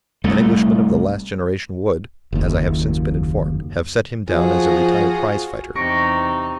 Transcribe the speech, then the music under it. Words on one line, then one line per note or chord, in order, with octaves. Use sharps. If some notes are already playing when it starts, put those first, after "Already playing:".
An Englishman of the last generation would, as I have since been informed, have set him down as a retired prize-fighter.
C2 A3
F#1 D#2
F3 F4 F#4 G#4
E2 C3 D#4 C#6 A#6 D7